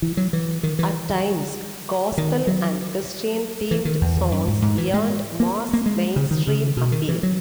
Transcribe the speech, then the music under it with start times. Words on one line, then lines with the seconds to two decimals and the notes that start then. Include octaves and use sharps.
At times, gospel and Christian-themed songs earned mass mainstream appeal.
0.02 E3
0.17 F#3
0.33 E3
0.63 D#3
0.79 E3
2.18 D#3
2.47 F#3
3.71 E3
3.85 D#3
4.02 E2
4.32 F#2
4.48 G#2
4.62 G#2
4.78 E3
4.94 G#3
5.40 A#3
5.73 A#3
5.86 G#3
6.16 C#3
6.31 D#3
6.47 C#3
6.77 B2
6.92 D#3
7.08 E3
7.23 F#3